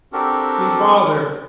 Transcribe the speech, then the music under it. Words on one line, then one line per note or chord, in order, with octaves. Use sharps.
Me father!
C4 D4 F#4 G4 A4 A#4